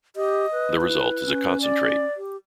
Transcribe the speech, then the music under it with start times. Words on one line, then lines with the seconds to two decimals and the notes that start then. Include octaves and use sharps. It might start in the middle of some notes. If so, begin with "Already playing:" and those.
The result is a concentrate.
0.16 G4 D#5
0.52 B4
0.82 E4
1.26 C#4
1.62 D5
2.17 G4